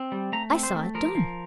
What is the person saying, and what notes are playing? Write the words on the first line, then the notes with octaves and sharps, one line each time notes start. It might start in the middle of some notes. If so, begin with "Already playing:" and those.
"I saw it done."
Already playing: C4
G3
A3 A#5
C4
C5
A3
F3 A#4
F3